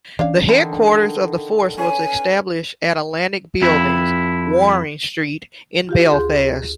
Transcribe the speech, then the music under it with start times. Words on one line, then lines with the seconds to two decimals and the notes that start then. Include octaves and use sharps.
The headquarters of the force was established at Atlantic Buildings, Waring Street, in Belfast.
0.19 E3 C#4 D4 C#5 F5
0.49 D3 D#3 E5 B5
1.78 C#4 B4 G#5
3.62 F2 E4
5.89 F4 G4 F5
6.12 D2 G#4 C6 G6